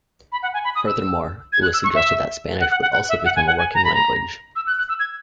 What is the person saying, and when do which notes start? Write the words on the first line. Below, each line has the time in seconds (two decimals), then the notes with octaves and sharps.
Furthermore, it was suggested that Spanish should also become a working language.
0.32 B5
0.43 F#5
0.54 G#5
0.64 B5
0.75 D#6
0.86 E6
1.53 G#6
1.62 F#6
1.73 E6
1.84 C#6
1.95 E5
2.60 F#5
2.71 F#5
2.82 F#5
2.93 F#5
3.09 E5
3.25 F#5
3.36 G#5
3.47 F#5
3.58 G#5
3.75 A#5
3.84 B5
3.94 A#5
4.56 E6
4.67 F#6
4.78 F#6
4.89 E6
5.00 G#6